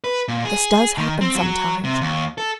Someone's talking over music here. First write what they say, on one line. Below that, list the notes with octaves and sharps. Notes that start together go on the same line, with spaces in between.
This does happen sometimes.
B4
A#2
G#4
D#3
C4
F#3
C3
D#2
A4